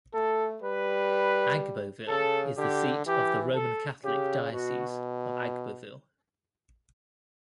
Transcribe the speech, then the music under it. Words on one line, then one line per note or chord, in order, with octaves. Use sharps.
Agboville is the seat of the Roman Catholic Diocese of Agboville.
A3 A4
G3 B4
C#3 A4
D3 G4
E3 G4
A4
C#3 G4
B2 F#4